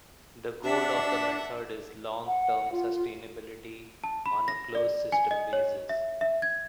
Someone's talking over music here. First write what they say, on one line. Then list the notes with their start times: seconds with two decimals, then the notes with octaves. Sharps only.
The goal of the method is long term sustainability on a closed system basis.
0.64 D4 E5 F#5
2.27 F#5
2.72 F4
4.04 A5
4.26 B5
4.48 A#6
4.75 D5
5.12 G#5
5.31 D#5
5.53 C#5
5.89 E5
6.21 E5
6.42 G#6